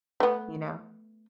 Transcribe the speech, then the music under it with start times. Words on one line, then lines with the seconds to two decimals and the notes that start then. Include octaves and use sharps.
you know,
0.20 A3 B3